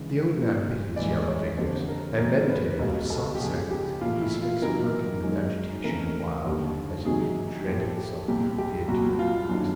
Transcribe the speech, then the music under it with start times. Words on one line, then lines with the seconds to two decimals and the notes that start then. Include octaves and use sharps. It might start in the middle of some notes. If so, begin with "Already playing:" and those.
The old man bit his yellow fingers, and meditated for some seconds; his face working with agitation the while, as if he dreaded something, and feared to know the worst.
Already playing: D2 C#3 E3 G#3
0.36 A#2 G3
0.96 A2 E3 G#3 D5
1.28 C#5
1.57 F2 D3 G3 C5
1.88 A#4
2.18 E2 B2 G#3 A#4
2.49 B4
2.79 C#2 B2 G3
3.10 A4
3.35 G4
3.40 C#2 C#3 F3 G#4
3.71 G4
4.01 A2 E3 A3 F4
4.21 E4
4.42 F4
4.62 E2 C3 D#3 F#3 A#4
5.23 F#2 D#3 G#3
5.84 F2 C#3 E3 A3 A#4
6.45 D#2 D3 G3
7.05 E2 C3 D#3 F#3 G#4
7.67 A2 F3 A3 G4
7.97 G4
8.28 C2 A#2 G3 G4
8.58 G4
8.88 C2 A#2 F#3 F#4
9.19 F4
9.49 F#2 D#3 F#3 A3 D4